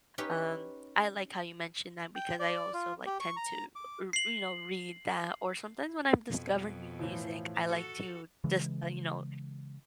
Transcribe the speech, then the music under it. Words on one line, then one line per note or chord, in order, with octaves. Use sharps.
Um, I like how you mentioned that, because I also, like, tend to, er you know, read that, or sometimes when I'm discovering new music, I like to just uh, you know,
C#4 D#4 G4 B4 C#5
G5
D5
F4
G4
C#6
A#5
D6
C7 F#7
F2 B2
A2 E3 F3
F#4 A4
C#3 E3 G#3